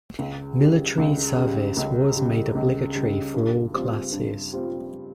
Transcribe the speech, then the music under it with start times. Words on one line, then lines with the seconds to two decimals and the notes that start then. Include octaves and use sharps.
Military service was made obligatory for all classes.
0.19 C#2
0.59 C#3 G3
0.98 C#2
1.38 C#3 G3
1.77 C#2
2.16 C#3 G3
2.55 C#2
2.95 C#3 G3
3.34 G2
3.74 G3 C4 F4
4.12 G2
4.53 G3 C4 F4